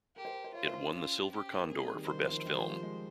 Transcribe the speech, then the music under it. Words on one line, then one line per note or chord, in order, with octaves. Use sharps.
It won the Silver Condor for Best Film.
G4 A#4
C5
A#4
C5
F4 C#5
C5
C#4
C#4 F4
G4
A#3
C4 G#4
G3
D#3
D#3 C5
F3
D#3
D#3
G3
F3
F3
G#3